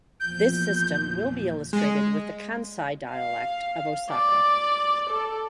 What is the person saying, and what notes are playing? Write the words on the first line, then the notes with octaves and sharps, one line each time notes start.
This system will be illustrated with the Kansai dialect of Osaka.
E2 A#2 F3 G6
G#3
F5
D5
A4